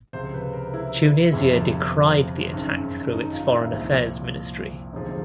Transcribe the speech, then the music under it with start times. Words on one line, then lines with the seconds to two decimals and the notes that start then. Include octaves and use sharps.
Tunisia decried the attack through its foreign affairs ministry.
0.13 C#2 C3 F3 C5
0.34 B4
0.53 A#4
0.74 E4
1.33 G1 F2 C3 F3 E4
2.53 G#1 F#2 D#3
3.13 D#4
3.33 F4
3.53 E4
3.73 C2 A#2 F3
4.93 E1 D2 C3 F3 D#4